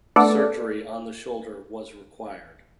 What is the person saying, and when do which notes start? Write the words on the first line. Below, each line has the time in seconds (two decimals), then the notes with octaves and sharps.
Surgery on the shoulder was required.
0.16 A3 B3 D4 A4 D5